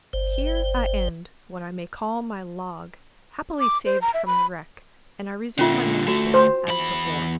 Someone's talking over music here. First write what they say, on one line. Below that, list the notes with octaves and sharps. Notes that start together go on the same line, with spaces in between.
Here I end what I may call my log, happily saved from the wreck, and I resume my narrative as before.
G1 C5
D6
C5
A#5
E5
B5
A#2 D3 C#4 F4 E5
D2 A3 F#4
C5
E2 B5